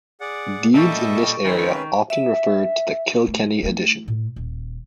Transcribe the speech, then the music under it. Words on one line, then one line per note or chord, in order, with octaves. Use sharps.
Deeds in this area often refer to the "Kilkenny Addition".
G#4 D5 F#5
A#2 G3 A4 D#5 E5 C#6 D7
C3 D#3 G#3 C4 C#4 B4
E5
A3
A3 E4
A2
D#1